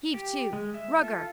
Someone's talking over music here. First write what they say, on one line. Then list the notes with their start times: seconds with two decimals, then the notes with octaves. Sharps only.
Heave to. Rugger.
0.14 G4
0.53 G#3
0.74 E5
1.00 F4 A4